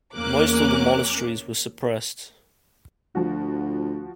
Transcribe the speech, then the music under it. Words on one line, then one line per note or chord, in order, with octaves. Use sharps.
Most of the monasteries were suppressed.
E2 A#3 C#4 A#4 D6 F#6
D2 F3 F#4